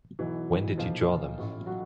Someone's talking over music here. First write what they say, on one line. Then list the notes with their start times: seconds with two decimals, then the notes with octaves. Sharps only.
When did you draw them?
0.19 B1 B2 E3 F#3 E4
0.78 B1 A#2 F3 F4
1.38 A1 A2 E3
1.66 F#3 F#4